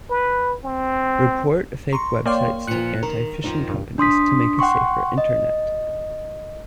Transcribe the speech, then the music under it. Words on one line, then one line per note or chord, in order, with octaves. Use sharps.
Report fake websites to anti-phishing companies to make a safer internet.
B4
C4
A#5 C6 C#6
A#3 C#5 D5 F5 G5 C6
A#2 F3 F#6 C#7
D#3 A#4
F2 D#3 D#4
G2
D4 C6 D#6 B6
F#5 G5 C6 C#6
D#5